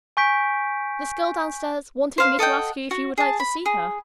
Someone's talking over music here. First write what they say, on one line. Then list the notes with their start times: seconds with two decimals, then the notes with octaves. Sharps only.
This girl down-stairs wanted me to ask you, if you would like to see her.'
0.17 G#5 C#6 G6 B6 D7
2.18 C5 F5 C6
2.39 A4 D#5 F#5 G5
2.91 F#4
3.18 G#4 A5
3.40 B5
3.66 G#4